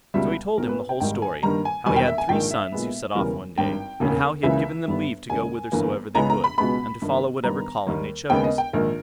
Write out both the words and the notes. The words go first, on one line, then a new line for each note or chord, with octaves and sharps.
So he told him the whole story; how he had three sons who set off one day, and how he had given them leave to go whithersoever they would, and to follow whatever calling they chose.
C#2 B2 G3 E5
B1 B2 A#3 A#4
B4
G5
G#1 G#2 D#3 G3 G5
G#5
G2 D#3 G3 A#3 A#5
G#5
E1 E2 D#3 G3 G#5
G5
E5
G#5
A#1 G#2 D#3 A#3 G5
E5
B1 A#2 G#3 B3
E1 E2 C#3 E3 G3 A#4
G#1 G2 G3 G5
E1 D#2 C#3
C#2 C#3 E3 A#3 E5
G1 G2 G3 B3
D#2 C#3 G#3 G#5
G1 G2 E3 A#3
C#2 C#3 G#3 B3 A#5
A#5
B5
C#2 B2 G#3 B3 B5
G1 G2 D#3
G2 D#3 G3 B3 A#5
D#2 D#3 G3 A#3
D#2 C#3 G#3 B3 G5
D#5
G5
A#1 G#2 D#3 A#4